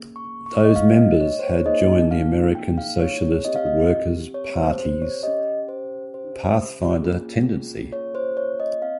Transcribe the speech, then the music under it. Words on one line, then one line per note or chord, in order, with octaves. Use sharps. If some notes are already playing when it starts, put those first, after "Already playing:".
Those members had joined the American Socialist Workers Party's Pathfinder tendency.
Already playing: A#3 C#4 G#4
C#6
C#6
D#5
F5
D#5
C#5
C5
C#5
A#3 D#4 G#4 D#5
F5
G5
F5
C#5
C#5
C4 G4 D#5
F5
D#5
C#5
C5
C5
C#5
C#4 G4 D#5
C5
C5
A#3 C#4 F4 G#4
C#5
C5
C#5
D#5
C4 F5